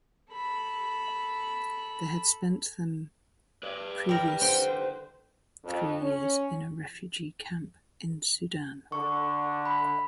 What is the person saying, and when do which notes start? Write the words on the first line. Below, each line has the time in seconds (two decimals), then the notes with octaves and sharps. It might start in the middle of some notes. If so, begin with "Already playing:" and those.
They had spent them previous three years in a refugee camp in Sudan.
0.31 A4 B5
3.63 B4 D5
4.09 G3 A#4
4.41 D3 C5 G5
5.64 F2
6.01 C#4
8.92 D3 C#6
9.66 B5